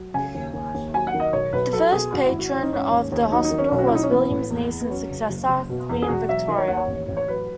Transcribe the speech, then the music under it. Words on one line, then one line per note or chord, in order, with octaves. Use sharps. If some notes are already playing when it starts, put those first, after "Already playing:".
The first patron of the hospital was William's niece and successor, Queen Victoria.
Already playing: F#3
C#3 G#5
D#2
D#2
D#2
F#3 G#5
F#5
D#3
D#5
B1 C#5
B1 B4
F#3 A4
B2 G#4
G#1 F#4
E4
G#1
F#4
E3 C#4
D#4
G#2 C#4
D#2
D#2
F#3 D#4
D#4
D#3
C#4
B1
F#4
E4
B1 D#4
C#4
E3 B3
A2
E2
E2
B3
F#3 C#4
C#3
F#1
F#1
B2
E2
G#4
E1 F#4
F#3 E5
D#3 D#5
C#5
D#2 F#5
C#5
A1
A1
C#5
F#3 B4